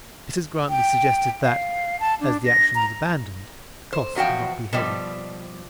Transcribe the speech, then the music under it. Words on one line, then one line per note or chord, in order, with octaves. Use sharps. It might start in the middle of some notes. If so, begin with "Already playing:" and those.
Mrs Grantly suggested that, as the action was abandoned, the costs would not be heavy.
G5
F5
A5
D4
A#6
A#5
C5
E2 F3 F#4 F5 G5
B2 F3 G3